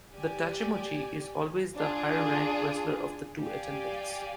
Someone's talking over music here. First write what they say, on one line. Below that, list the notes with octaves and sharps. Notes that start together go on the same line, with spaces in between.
The "tachimochi" is always the higher ranked wrestler of the two attendants.
G4 D5 G#5
D4 F4 G#4
G4 D5 F5 G#5